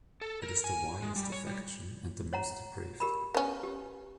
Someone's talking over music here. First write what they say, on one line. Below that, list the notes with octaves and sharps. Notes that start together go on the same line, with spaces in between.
It is the vilest affection, and the most depraved.
A4
A#4
G#5
G#3
G3
C#5
G3
C#5 F#5 A#5
G4 A#4 B5
B3 C#4
G4